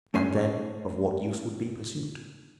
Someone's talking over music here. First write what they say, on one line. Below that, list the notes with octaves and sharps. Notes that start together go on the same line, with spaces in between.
And then of what use would be pursuit?
A3 C#4 C6